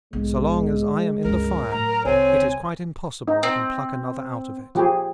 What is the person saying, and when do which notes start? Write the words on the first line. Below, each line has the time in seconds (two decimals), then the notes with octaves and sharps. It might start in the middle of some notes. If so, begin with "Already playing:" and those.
So long as I am in the fire, it is quite impossible I can pluck another out of it.
0.13 B1 G#2 G#3
1.24 C#2 G2 A#4
1.72 A2 F#3 A#5
2.05 C2 C4 C#5 G#5
3.28 D#4
3.43 C4
4.75 F3 G4 G#4